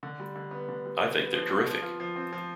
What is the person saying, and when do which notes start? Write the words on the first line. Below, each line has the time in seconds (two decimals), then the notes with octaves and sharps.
I think they're terrific.
0.03 D3
0.20 G3
0.36 D3
0.51 B3
0.68 D3
0.85 G3
1.02 D3
1.18 B3
1.33 F3
1.50 C4
1.67 F3
1.82 F4
2.00 F3
2.16 C4
2.33 F3